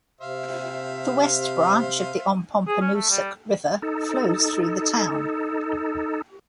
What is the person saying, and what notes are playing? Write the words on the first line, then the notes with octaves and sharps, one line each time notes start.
The West Branch of the Ompompanoosuc River flows through the town.
C3 C5 E5 F5
G#4
C#4
A3
G3
D#4 A4